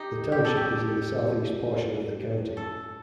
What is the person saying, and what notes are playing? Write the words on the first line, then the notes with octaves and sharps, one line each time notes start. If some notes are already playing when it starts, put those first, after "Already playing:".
The township is in the southeast portion of the county.
Already playing: D#4 G4
G4
A4
G4
A4